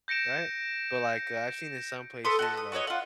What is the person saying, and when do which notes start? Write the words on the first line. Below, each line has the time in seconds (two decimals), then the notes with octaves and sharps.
right? But, like, uh, I've seen in some places, like,
0.08 G6 A#6 C#7 D7 E7
2.24 A4 B4 C6 D#6
2.39 F#4 D#5 A5
2.57 D#6
2.72 F#4 B4 C#5 D#5
2.87 F4 F#5